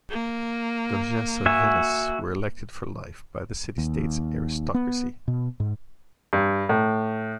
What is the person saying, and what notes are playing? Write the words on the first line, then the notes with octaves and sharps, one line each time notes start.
Doges of Venice were elected for life by the city-state's aristocracy.
A#3
F#4 E5 G#5
D#2
B3
B2
G#2
G2
A2